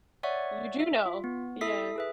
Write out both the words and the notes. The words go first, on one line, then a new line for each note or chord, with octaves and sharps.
You do know, yeah.
C#5 D5 E5 F#5 C#6
E5
F4
B3
E4 A4 E5 D#6 B6 C7
G#4 B4 E5